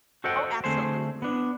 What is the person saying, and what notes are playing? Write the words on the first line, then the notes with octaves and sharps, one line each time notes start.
Oh, absolutely.
F#4 A4 C5 D#5 F#5 G5
D3 A3 C4 G#4 C5
B3 D4